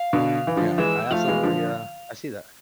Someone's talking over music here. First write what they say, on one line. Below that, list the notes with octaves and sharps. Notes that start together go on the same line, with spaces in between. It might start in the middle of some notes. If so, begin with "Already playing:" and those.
Yeah. I absolutely, uh, I see that.
Already playing: F5
B2 D3
E3
D3 F3
E3 G#3 E5
F3 A3 F5
E3 G#3
D3 F3